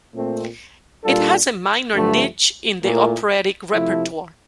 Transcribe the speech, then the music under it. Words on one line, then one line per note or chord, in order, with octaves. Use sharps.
It has a minor niche in the operatic repertoire.
A#2 A3 C4
A#2 G3 D4 F4 A4
G2 D3 F3 A3
A#2 A3 E4 A#4
C3 F3 A3 E4